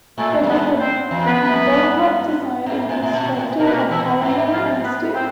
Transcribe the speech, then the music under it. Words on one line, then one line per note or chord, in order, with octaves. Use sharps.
It is of bullpup design and constructed of polymer and steel.
A2 A3 A4
F#2
G2 B3 B4
C4 C5
E2
B3 B4
F2
F#2
G2
G#2
A2
A2
A#2
A2
A#2 A#4
B4
A#3 A#4
A#2 E3 E4
G#2
F3 F4
B3 B4
C4 C5